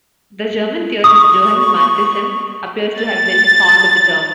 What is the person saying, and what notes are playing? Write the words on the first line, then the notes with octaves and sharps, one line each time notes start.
The German theorist Johann Mattheson appears to have been fond of the term.
C#6 D#6
A6